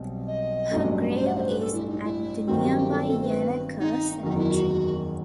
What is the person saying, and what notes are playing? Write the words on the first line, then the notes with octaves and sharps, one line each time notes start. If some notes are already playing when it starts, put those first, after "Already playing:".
Her grave is at the nearby Yanaka Cemetery.
Already playing: B1 B2 G3 C4
D#5
A1 G2 F#3 A3
C5
F#5
C5
B4
A4
E4
D#4
E4
G1 G2 D#3 F#3 C4 F#4
G4
G4
A4
A4
C5
B4
D#4
F#1 E2 D#3 F#3 D#4
E4
F#4